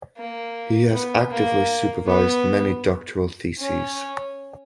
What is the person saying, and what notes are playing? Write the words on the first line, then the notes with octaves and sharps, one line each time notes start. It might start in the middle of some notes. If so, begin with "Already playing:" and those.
He has actively supervised many doctoral theses.
A#3
B3
A#3
B3
C#4